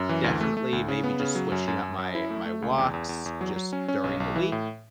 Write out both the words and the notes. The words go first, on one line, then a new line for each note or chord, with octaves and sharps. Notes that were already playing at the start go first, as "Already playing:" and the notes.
Definitely, maybe just switching up my my walks just during the week.
Already playing: F#2
E3
D2
A3
A3
D2
C#3
B3
C#3
F#3
F#2
F#2
F#2
F#2
E4
A3
A3
C#2
E2
E2
E2
E2
F#3
F#3
C#4
C#4
B1
B1
E3
A2